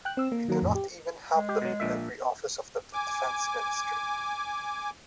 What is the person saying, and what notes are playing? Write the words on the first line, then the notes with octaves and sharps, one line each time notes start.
We do not even have them in every office of the Defense Ministry.
G5 F#6
C4 E6
A#3
D#3 F#3 A#3 A#4
F2 A2
G4
G#3
G4
B2 F#3
A#1 A#2 E5
G#5 D6